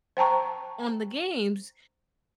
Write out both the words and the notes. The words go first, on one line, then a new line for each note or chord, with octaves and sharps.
on the games
C5 G5 A5 A#5 C#6